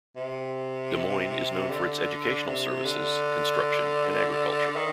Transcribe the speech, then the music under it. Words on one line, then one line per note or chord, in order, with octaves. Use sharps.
Des Moines is known for its educational services, construction, and agriculture.
C3
D3
C3
D3
D#3